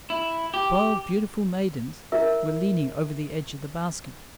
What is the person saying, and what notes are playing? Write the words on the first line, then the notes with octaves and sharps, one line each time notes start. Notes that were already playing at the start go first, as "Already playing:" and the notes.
Twelve beautiful maidens were leaning over the edge of the basket.
E4
G4
E4 A#4 E5